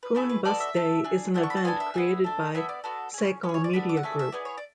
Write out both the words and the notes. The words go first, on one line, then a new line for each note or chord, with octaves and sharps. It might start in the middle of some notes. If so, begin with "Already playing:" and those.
Pune bus day is an event created by Sakal Media Group.
B4
A3 E4 G#4 A4
B4
B3 D4 F#4 A4 D5
E5
D4 A4
D4 G#4
B3 D4 A4 F#5
C#6
B5
A5
B3 D4 A4 G#5
E5
B3 D4 G#4
D4 A4
B3 E4 A4 E5
D5
B3 F#4 A4
C#4 G#4
C#4 B4
G#4
C#5
D5
B3 D4 A4 B5
D6
F#5
A3 D4 G#4 E5
E5
B3 E4 G#4 D5
C#5
D5